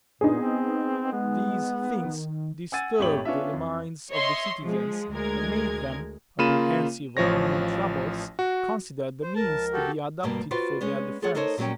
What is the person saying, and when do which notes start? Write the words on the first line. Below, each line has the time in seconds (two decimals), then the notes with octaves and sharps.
These things disturbed the minds of the citizens, and made them, apprehensive of new troubles, consider the means to be adopted for their defense.
0.21 A#2 B3 D#4 G#4
0.41 C4
1.12 G#3 B3
1.91 A#3
2.05 D#3
2.72 F#5 G#5 E6 G#6 A6 D#7
2.99 G#1 A3 G4 C#5 B5 F#7
3.25 B3 C#4 D4 F4 E5
3.53 F2
4.11 C#5 D#5 E5 C6
4.61 F3 G#3
5.13 D2 G#3 A#4 G#6
6.39 C#3 A#3 F4 B5 D#7 E7
7.17 A1 F3 C#5 A#6
8.39 F#4
9.23 C5
9.36 C#2 F3 A#4 A5
9.73 F#4 G4 A4
10.23 D2 G2 B2 G3 A#3
10.51 F4 F#4 B4 C5 D5
10.81 G#3 B3 C#4
11.22 F4 G#4 A4 C#5 F#5
11.35 D#4 A4 A#4 C5 C#5 D#5
11.58 A#2 F#3 G3 C#4 G5